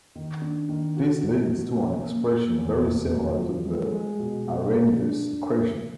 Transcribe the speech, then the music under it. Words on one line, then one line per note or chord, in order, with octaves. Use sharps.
This leads to an expression very similar to the Arrhenius equation.
D#3
D4
D#3
F#4
B2
B2
C#4
A#3
A#3
E2
F1
F#3
F3
G#3
G#3
B2
B2
G#3
D4